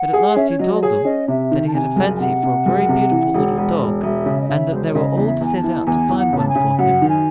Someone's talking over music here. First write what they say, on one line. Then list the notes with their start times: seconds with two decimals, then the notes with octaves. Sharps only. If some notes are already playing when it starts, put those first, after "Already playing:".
But at last he told them that he had a fancy for a very beautiful little dog, and that they were all to set out to find one for him.
Already playing: F#5
0.13 G#4
0.36 C#4 E5
0.49 C#5
0.59 F#3 D#5
0.74 D#5
0.83 G#4 C#5
1.04 C#4 D#5
1.28 C3 E5
1.51 D#3
1.67 A5
1.74 C3 G#5
1.96 F#1
2.16 G#5
2.20 C3 F#5
2.43 C3
2.66 F#1
2.89 C3
3.11 E3
3.34 E1
3.58 E1
3.80 E1
4.03 E1 E5
4.26 C#3
4.41 D#5
4.48 C#3 E5
4.72 E1 C5
4.85 C#5
4.94 C#3 D#5
5.17 E2
5.26 E5
5.41 E2 G#5
5.56 A5
5.64 E3
5.86 E2 G#5
6.09 E2
6.18 F#5
6.33 C#3
6.38 A5
6.48 G#5
6.55 C#3
6.78 F#2 F#5
7.02 D#3
7.09 G#5